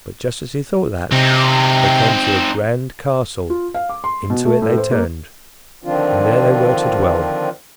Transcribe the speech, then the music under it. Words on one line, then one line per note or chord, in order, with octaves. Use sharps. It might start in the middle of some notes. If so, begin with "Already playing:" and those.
But just as he thought that, they came to a grand castle; into it they turned, and there they were to dwell.
C3 C4 D#4
F4
F5
D6
C6
B2
A3
A2
C5
A#3
D3 D#3 F3 C4 D4 F4